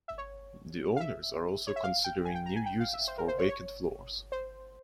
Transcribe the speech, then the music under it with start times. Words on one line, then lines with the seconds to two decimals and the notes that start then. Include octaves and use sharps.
The owners are also considering new uses for vacant floors.
0.08 E5
0.18 C#5
0.96 F5
1.00 E5
1.67 C#5
1.76 E5
1.83 F5
2.04 G5
2.25 G#5
2.35 G5
2.46 A#5
2.56 G#5
2.66 G5
2.80 F5
2.93 E5
3.08 C5
3.18 A#4
3.28 C5
3.38 C#5
3.49 C#5
4.32 C5